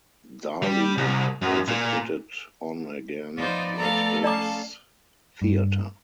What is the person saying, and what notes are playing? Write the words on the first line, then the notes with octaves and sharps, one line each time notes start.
Daly also put it on again at his theatre.
G3
C2
F#2
A#2
F3 B3 D#4 F4 C5 D5
A3 A4 F5 A#5
C#4 D5 F5 A5 A#5 D6
G2